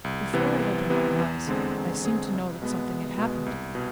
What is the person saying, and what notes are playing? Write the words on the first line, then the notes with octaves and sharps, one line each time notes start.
Before I opened my eyes, I seemed to know that something had happened.
C2
C3 E3 B3
C2
C3 E3 B3
E2
D3 G#3 C4 G#4
E2
D3 G#3 C4 G#4
C2
B2 G#3 B3
C2
B2 G#3 B3
C2
B2